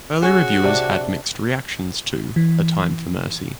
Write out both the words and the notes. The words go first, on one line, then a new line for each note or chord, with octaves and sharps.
Early reviewers had mixed reactions to "A Time for Mercy".
C#4 F#4 G#4
C3 D4
E3